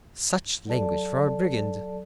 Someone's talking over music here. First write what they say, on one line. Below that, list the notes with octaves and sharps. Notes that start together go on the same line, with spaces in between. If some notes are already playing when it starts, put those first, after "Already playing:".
Such language from a Brigand!
F#3 A4 D5 A5